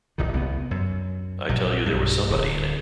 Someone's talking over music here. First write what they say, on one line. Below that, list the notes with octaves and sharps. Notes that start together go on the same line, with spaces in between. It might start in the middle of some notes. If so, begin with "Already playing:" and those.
I tell you there was somebody in it.
F1 C2 D#3
C2 G#3 B3
F#2
A#1 F#3
B1 G2
D1